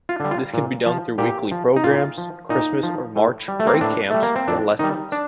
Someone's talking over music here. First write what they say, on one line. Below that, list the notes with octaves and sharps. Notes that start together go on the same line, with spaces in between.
This can be done through weekly programs, Christmas or March Break camps, or lessons.
F4
D3 G3
F4
A#2
F3
A#2 G4
F3
D#4
A#2 F4
F3
A#2 D#4
F3
A2
G3
A3
A#3
C4
A2 D4
G3 A3
A#3
C4
F2 D4
D#3 G3 D#4
D4